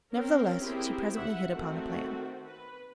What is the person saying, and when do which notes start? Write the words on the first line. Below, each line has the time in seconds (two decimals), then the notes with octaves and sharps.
Nevertheless she presently hit upon a plan.
0.12 C4 C#4 A#4
0.60 C4 E4 G4 G#4 A#4
1.14 E5 F#5
1.48 D#3 A3 C4 F#4
2.46 B4